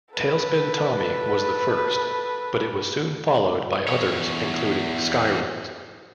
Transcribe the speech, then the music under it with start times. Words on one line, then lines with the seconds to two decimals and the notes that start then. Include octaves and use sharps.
"Tailspin Tommy" was the first, but it was soon followed by others, including "Skyroads".
0.15 A4 B4
3.87 E2 C#5